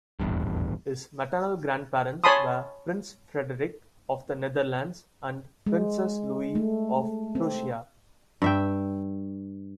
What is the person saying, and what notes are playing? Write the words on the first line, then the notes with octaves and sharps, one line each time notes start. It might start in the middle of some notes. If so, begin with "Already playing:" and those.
His maternal grandparents were Prince Frederick of the Netherlands and Princess Louise of Prussia.
D#1 A1 E2 G2
C#5 G#5 A5 B5 C6 D#6
G#3
A3
C4
G2 E5 G5